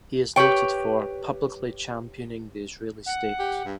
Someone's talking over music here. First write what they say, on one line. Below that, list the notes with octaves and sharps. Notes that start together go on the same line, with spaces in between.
He is noted for "publicly championing the Israeli state".
G4 B4 C#5 G5
F#5
G4
G2